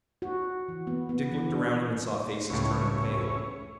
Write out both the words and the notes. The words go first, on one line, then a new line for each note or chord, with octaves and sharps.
Dick looked around him and saw faces turning pale.
F#4
E3
B3
B3
E3
D4
C#2 A2 C#4 E4 C#5